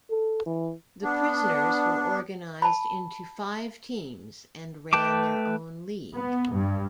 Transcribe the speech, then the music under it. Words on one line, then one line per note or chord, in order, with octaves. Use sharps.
The prisoners were organised into five teams and ran their own league.
A4
E3
B3 D4
A5 B5
A3 B4 G5 A5 D6
B3
G2